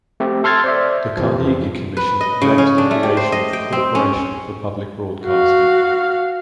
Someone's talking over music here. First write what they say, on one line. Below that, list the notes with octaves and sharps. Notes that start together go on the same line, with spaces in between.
The Carnegie Commission led to the creation of the Corporation for Public Broadcasting.
A3 C4 G4
A4 C6 F6 G#6 A6
C5 D5 E5
F2 C3 E3 F3
B4
D#5
C#3
C#4
D4
A3
G4
C5
D#5
G5
C4
C#4
F#4 F5